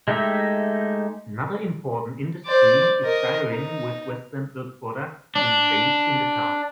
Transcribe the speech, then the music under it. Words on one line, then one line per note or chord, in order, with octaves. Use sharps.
Another important industry is dairying, with Westland Milk Products being based in the town.
G#3 A3 D#4 G4 E5
C5 D5
A#4 D#5
D#4
D4